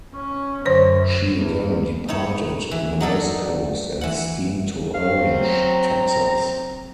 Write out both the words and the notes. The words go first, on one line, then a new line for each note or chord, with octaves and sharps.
She then departed the west coast and steamed to Orange, Texas.
C#4
F#2 D3 C5 C#5
E2
D#4 E4 C#5
E3
F#3 D#4 A4 D5
E3 F#5
F#3 C4 F5
A#5